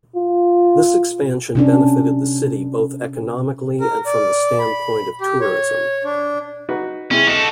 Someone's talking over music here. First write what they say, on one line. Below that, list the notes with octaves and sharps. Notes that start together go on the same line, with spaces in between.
This expansion benefited the city both economically and from the standpoint of tourism.
F4
C3 C#4 D4
A#4
D5
B5
G4
C#5
D4
D#4 F#4 B4
C3 G#3 C#4 E4
F#4 A4 D#5